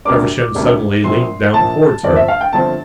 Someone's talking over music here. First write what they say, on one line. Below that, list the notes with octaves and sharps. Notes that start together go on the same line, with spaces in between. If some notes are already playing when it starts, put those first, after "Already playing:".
Feversham suddenly leaned down towards her.
D2 C3 G3 A#3 D4 D6
D2 C3 G3 A#3 D4
A#1 A#2 F3 C6
A#1 A#2 F3 A5
G1 G2 D3 F3 C4 D5
E5
F5
G5
G1 G2 D3 F3 C4 A5